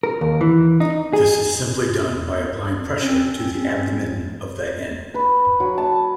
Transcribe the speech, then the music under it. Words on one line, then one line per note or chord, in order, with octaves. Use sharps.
This is simply done by applying pressure to the abdomen of the hen.
A#4
D#2
E3
D#4
G#4
C4 C#4
B4
F#3
A5